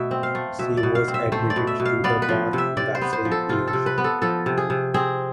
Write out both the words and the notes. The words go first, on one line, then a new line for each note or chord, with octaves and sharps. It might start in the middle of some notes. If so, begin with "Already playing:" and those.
She was admitted to the bar the same year.
Already playing: B2 A3 E5
C4
F5
A3
B2 E5
D5
B2
F5
C4
E5
A3 C5
D5
B2
E5
B2
F5
B3 D5
B4
F3
C3 E5
C3 D5
C5
B3
C5
F3
A4
C3 F4
A4
C3
B4
B3
A4
F3 A4
C3
G#4
C3
C4 G#4